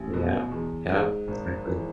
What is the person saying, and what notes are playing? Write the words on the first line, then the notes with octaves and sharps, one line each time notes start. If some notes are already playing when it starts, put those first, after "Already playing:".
Yeah, yeah, exactly.
Already playing: A1
B2
E2
G#2
G#1
E3